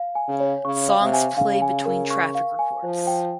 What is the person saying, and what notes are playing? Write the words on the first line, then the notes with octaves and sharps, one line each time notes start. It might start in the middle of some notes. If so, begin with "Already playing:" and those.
Songs play between traffic reports.
Already playing: F5
G#5
C#3
C#5
C#3 C#6
F5
C3
G#5
C#3 F5
G#5
A#4
C#6
F5
G#5
F3 C5
G5